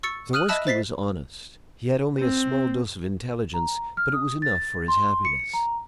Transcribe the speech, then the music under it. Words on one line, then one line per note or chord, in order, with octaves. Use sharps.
Zawoiski was honest, he had only a small dose of intelligence, but it was enough for his happiness.
C#6 E6 A6 C#7
D#6 F6 F#6 D#7 F#7
D#5 E5 A5 B5 E6 F#6
C5 A6 B6 C7
C4
A#5
F6
D#6
A6
C6
C#7
A#5